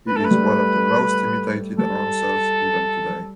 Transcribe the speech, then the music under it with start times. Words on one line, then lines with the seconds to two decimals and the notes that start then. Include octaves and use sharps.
He is one of the most imitated announcers even today.
0.08 B4
0.17 A3 A4
0.25 B4
0.31 G3
0.43 A3
1.78 G3 A4